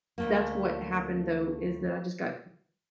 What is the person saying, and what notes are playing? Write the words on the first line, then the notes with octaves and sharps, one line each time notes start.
that's what happened though, is that I just got
D2 A3 A#3